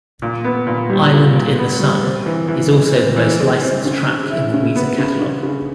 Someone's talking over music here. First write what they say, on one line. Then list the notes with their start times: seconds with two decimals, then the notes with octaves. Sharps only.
"Island in the Sun" is also the most-licensed track in the Weezer catalog.
0.22 A#2
0.45 B3
0.67 A#2
0.90 G3
1.13 A#2
1.35 A#2
1.59 B3
1.80 G3
2.03 C4
2.26 E3
2.48 E3
2.72 G#3
2.94 C4
3.16 E3
3.40 G#3
3.63 C4
3.85 C#3
4.07 C#3
4.30 E4
4.54 C#3
4.76 B3
4.98 C#3
5.21 C#3
5.43 C#3